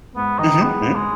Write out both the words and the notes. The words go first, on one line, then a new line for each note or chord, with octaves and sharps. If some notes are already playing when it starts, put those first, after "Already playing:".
Mhm. Mhm.
G#2 B3
D#3 D#4
G#3 B3
G#2
G#3